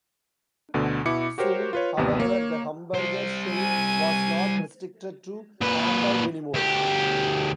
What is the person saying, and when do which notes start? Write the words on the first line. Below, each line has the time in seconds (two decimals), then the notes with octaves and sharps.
Soon, however, the "Hamburger Schule" was not restricted to Hamburg anymore.
0.74 D2 B2 D3
1.05 B2 E4 D6 C#7
1.38 F#4 G4 A#4 C5 C#5
1.73 F4 B4 C#5
1.97 A1 D#2 C3 B3
2.20 A#3 C#5
2.94 G3 C5
3.50 G#5 D#7
5.61 A#2 B4
6.54 D2 G4